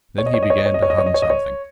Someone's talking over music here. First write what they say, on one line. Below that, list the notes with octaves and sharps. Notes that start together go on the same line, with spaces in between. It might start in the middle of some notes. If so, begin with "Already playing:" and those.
Then he began to hum something.
C#5
D#5
C#5
D#5
C#5
D#5
C#5
D#5
C#5
D#5
C#5
D#5
C#5
D#5
C#5